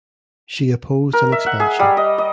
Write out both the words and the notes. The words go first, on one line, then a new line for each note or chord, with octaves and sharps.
She opposed an expansion.
A#4
E5
F#5
G#4
G3
D#5
D#5